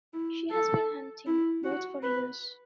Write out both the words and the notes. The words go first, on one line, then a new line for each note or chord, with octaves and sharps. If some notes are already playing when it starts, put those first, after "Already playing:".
She has been hunting both for years.
E4
A4
E4
F#4
B4